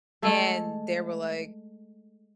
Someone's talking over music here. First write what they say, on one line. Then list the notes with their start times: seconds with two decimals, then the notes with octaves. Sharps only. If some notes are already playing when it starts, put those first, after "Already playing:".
and they were, like,
0.22 G#3 A3 E5